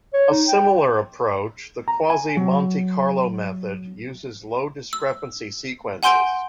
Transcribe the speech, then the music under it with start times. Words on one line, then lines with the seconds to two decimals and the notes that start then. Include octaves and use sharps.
A similar approach, the quasi-Monte Carlo method, uses low-discrepancy sequences.
0.13 C#5
0.30 D#4
0.47 G5
1.88 A#5
2.10 G#5
2.37 F#3
4.93 E6
6.03 F#5 G#5 C6 G6 D7 G7